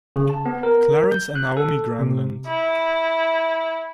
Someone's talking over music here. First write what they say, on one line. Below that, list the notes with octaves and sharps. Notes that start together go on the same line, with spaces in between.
Clarence and Naomi Granlund.
C#3
A5
B3
A#4
G6
F#6
A4
C3
E4